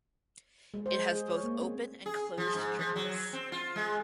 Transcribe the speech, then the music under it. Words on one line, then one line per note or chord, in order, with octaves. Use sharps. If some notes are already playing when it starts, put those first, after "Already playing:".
It has both open and closed drains.
G#3
C5
G#4
C#5
A#3
C4
G#4
F3
G#2
F3
F#3
C4
F4
G#3